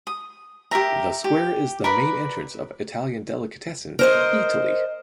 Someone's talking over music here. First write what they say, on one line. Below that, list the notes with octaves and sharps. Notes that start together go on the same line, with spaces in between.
The square is the main entrance of Italian delicatessen Eataly.
D#6
G4 A#4 E5 A#5
G4
A#4 B4 D5 B5
A#4 C5 D#5